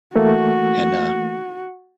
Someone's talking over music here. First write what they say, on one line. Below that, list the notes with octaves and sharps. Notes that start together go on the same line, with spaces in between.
and, uh
E3 A3 A#3 F#4